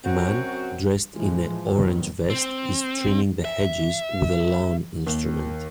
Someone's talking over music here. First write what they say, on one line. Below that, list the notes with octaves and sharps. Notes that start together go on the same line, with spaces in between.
A man, dressed in a orange vest is trimming the hedges with a lawn instrument.
F#2 C4 F#4
A2 E3 F3 G#3
F2 G#2 D#3 F#3 B3
C4
E5
D#2